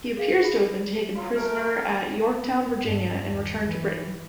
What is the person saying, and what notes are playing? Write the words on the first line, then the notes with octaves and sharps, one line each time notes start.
He appears to have been taken prisoner at Yorktown, Virginia and returned to Britain.
G#4 F5 G5
G#4 B5
F#3 F4 F#4
A3 A#4
B3
G2
D#2
E3